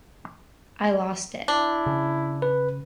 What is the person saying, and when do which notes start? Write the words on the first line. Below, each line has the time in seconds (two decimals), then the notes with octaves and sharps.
I lost it.
1.48 D4 E4
1.86 C#3
2.42 B4